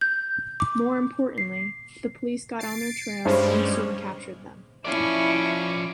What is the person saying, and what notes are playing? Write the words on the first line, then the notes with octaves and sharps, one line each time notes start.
More importantly, the police got on their trail and soon captured them.
G6
D6
C7
A6 C7 D7
G2 G3 G#3 C#4 C5
F3 C#4 E4 D5 C#6